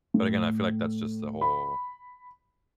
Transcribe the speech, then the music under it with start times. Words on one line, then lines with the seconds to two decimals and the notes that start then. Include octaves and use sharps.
But, again, I feel like that's just the whole
0.14 A2
1.41 B5